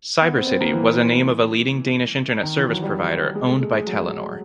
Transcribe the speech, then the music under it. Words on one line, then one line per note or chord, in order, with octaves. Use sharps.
Cybercity was a name of a leading Danish internet service provider owned by Telenor.
B3
C4
C4
A#3
E3
D#3
E3
F#3
G3
G#3
A3
G#3
G#3
F#3